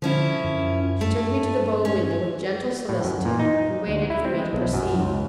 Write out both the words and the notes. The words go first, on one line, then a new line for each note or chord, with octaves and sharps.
She took me to the bow-window with gentle solicitude, and waited for me to proceed.
D3 F3 C#4 E4
F#2
G2 A3 A4
C#4
A2
F#2
A#2
D#4
D2
E4
C4
G#3
B1
F#2
C#2